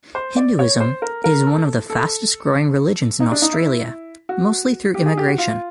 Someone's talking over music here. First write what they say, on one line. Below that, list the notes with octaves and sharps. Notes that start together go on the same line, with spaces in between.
Hinduism is one of the fastest growing religions in Australia mostly through immigration.
C5
D5
C#5
C5
A#4
A#4
A4
A4
D#4
D4
D#4
E4
F#4
G4
G#4
G4
F#4
F4